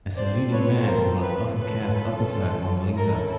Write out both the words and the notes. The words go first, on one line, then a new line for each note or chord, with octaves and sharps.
As a leading man, he was often cast opposite Mona Lisa.
C4 F4 A4 C5 D5
B4 C#5
A#4 C5
B4
C#4 F4 A4 B4
C#4 E4 A4 A#4